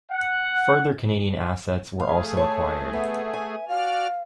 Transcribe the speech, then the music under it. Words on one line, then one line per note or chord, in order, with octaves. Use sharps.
Further Canadian assets were also acquired.
F#5
A3 G#4 F5
C#5 A5
B3 E5
G#5
F#4 D5 F5 F6